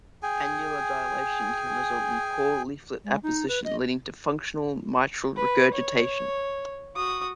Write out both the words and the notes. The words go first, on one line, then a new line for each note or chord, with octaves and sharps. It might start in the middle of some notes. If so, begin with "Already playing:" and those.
Annular dilatation can result in poor leaflet apposition, leading to functional mitral regurgitation.
G#4 G5 G#5
G#3
D#4
B4
D#5
B4
C#5
F#4 D#6